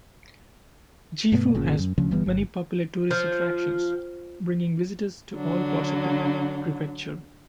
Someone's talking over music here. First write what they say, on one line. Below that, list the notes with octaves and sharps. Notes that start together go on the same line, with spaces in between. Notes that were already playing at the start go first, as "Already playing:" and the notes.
Gifu has many popular tourist attractions, bringing visitors to all parts of the prefecture.
G2 B2 A3 B3
G1 A#2 C#3
F#2
D2 C#3 F3 C#4
G1 E3 G3 B3
G1
F3
D3 F#3 D4